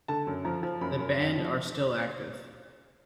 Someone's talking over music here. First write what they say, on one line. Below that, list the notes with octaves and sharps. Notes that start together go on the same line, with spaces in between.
The band are still active.
D3 A5
F#2
F3 A#5
F3
F#2 B5
F#2
F#2
F3